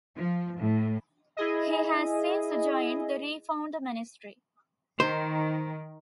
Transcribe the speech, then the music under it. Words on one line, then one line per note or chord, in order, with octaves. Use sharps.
He has since joined the reformed Ministry.
F3
A2
E4 G#4 D#5
D#3 C5